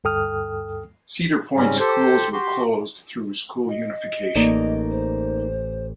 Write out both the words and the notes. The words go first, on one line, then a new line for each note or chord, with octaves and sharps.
Cedar Point schools were closed through school unification.
D2 G2 A4 G5 D#6 F6
G#2 C#3 G3 C4 C#4
G4 A4 C5
F#4 G4 C6
D#5
A1 A#3 D#4 D5
C5